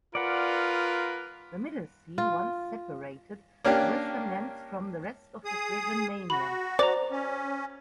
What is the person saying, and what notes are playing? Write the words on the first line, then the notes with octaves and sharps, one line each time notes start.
The Middlesee once separated the western lands from the rest of the Frisian mainland.
F4 A#4 B4 D5 F#5
F4
A#3 C#4 D4 G4
G#4 D#6
F#4 B5
C5 D5 A#5
C#4